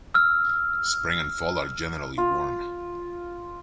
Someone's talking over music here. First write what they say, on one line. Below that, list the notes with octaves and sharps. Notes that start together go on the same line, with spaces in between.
Spring and fall are generally warm.
E6 F6
F4